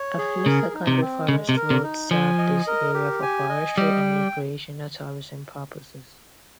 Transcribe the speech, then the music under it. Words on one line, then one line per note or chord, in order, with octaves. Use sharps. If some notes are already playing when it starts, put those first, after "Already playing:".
A few secondary forest roads serve this area for forestry and recreational tourism purposes.
Already playing: C#5
G#4
C#3 A#4
D#4
C3
C4
C#3 G#3
C3
A#4
C3
D#4
F3 G#5
D#5
A#4
G4
G#5
D#5
G3 G5